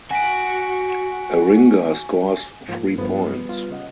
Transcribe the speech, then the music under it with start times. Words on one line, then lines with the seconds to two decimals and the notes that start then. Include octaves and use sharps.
A ringer scores three points.
0.11 F#4 G#5 B6 D7
2.68 G#2 F3 A#3
2.98 G2 F3 B3
3.45 G3 F4
3.70 C#3 D#5 F#5